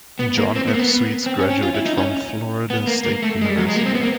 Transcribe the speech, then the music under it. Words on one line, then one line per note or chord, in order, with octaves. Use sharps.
John F. Sweets graduated from Florida State University.
B3
A#3
C4
B3
A#3
B3
C4
C#4
C#4
F4
E4
D#4
C#4
B3
A#3
A#3
A3
G#3
G3
F#3
G#3
A#3
C4
B3
A#3